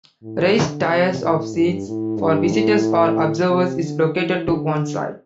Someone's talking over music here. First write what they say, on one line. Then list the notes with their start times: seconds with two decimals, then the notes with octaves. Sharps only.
Raised tiers of seats for visitors or observers is located to one side.
0.23 A2
0.56 D3
0.89 C3
1.22 A2
1.54 G2
1.87 A2
2.19 G2
2.52 A2
3.50 C3
3.82 D3
4.15 E3
4.49 D3